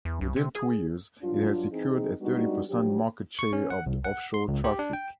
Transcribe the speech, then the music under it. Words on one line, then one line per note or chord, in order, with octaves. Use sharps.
Within two years it had secured a thirty-percent market share of the offshore traffic.
E2
C2
C3
G#4
G2 F#3 D4 F4
E3 C4 D#4 G#4
G3 G#3 B3 D4 D#4 F#4
F3 F#3 D4 G4
C#6
C#4
F#5
C2
F#5
C6
C#2
G4
D4
G5